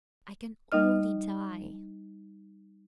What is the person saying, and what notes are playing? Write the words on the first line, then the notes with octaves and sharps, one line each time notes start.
"I can only die."
G3 D#4 D#5 F6